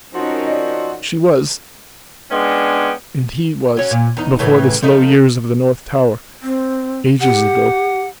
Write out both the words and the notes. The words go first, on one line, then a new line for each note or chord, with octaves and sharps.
She was--and He was--before the slow years of the North Tower--ages ago.
F3 C4 C#4 D#4 F#4 A#4
D5 D#5
G#3 B3 C#4 D4 G5
F#3 C#4
A#2
E2 D#4
A2 C#3 E3
F3 A3 D#4
C4
G4 F#5